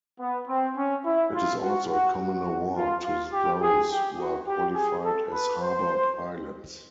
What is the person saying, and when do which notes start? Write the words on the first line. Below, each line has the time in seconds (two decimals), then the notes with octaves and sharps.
It is also a common award to those who are qualified as harbor pilots.
0.19 B3
0.48 C4
0.76 C#4
1.05 E4
1.34 F4
1.62 F#4
1.91 F#4
2.19 F#4
2.76 F4
3.04 F4
3.33 G4
3.62 G#4
3.90 G4
4.19 F#4
4.47 G4
4.75 G#4
5.04 A4
5.32 B4
5.61 C5